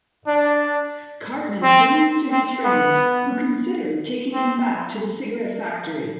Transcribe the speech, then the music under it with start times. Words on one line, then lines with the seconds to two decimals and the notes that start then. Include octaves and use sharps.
Cartman flees to his friends, who consider taking him back to the cigarette factory.
0.27 D4
1.63 C4
2.31 C4
2.64 B3
4.34 C4